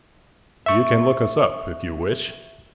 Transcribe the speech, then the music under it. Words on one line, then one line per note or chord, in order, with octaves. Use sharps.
You can look us up, if you wish.
E5 C#6